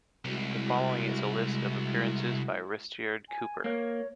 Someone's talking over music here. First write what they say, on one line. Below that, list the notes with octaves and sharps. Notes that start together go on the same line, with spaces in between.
The following is a list of appearances by Risteard Cooper.
C2 G#3 E4 F#4
G#5
A#3 C#5